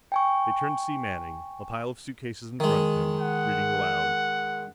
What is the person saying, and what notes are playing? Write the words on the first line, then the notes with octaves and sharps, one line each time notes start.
They turned to see Manning, the pile of suitcases in front of him, reading aloud.
G5 G#5 C#6
D#3 G#3
F#5